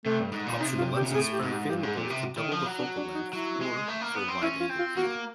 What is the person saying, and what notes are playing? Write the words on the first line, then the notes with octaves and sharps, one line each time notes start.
Optional lenses are available to double the focal length or for wide-angle view.
C3 A3
G2
G#2
A#2
C3 D#4
F4
G4
A#2
A2 G#4
G4
G#2
G4
G2 G4
G#2 G#4
A#2
G4
C3
F#4
D#3 E4
F3
F#3
D4
D4
D#4
F#3 E4
G#3
A3
A#3
B3
C4
C#4 E4
F4
C4
F4
A#3 F#4